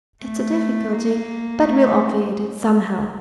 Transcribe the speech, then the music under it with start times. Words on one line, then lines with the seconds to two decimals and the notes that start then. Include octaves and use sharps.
It's a difficulty. But we'll obviate it--somehow.
0.24 A3
0.93 A#3
1.62 A3